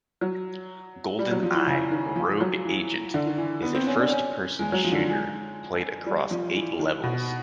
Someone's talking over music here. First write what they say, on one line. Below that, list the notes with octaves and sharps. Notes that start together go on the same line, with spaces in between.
"GoldenEye: Rogue Agent" is a first-person shooter, played across eight levels.
F#3
G3
F#3
F3
E3
C#3
D#3
F3
F#3
E3
D3
D#3
E3
B3
C4
C#4
D4
C#4
G#3
F#3
F3
D3
D#3
G#3
G3
F3
E3
D#3
B2